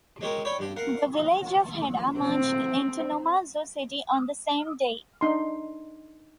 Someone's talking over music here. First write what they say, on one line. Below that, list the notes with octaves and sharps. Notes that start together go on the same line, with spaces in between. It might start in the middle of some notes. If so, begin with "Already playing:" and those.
The village of Heda merged into Numazu City on the same day.
G#3 C#4 G4 A#4
C#5 D5 G5 B5
G2 G4
A#4 F5 F#5
C4
D4 D#4 C6